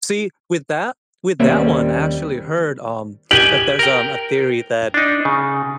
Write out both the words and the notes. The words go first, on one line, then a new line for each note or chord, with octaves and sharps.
See, with that with that one, I actually heard, um, that there's, um, a theory that,
D#2 G3 A#3 C4 C#4 E5
G4 G5 G#5 F#7
A#4 G5
D4 D#4
C#3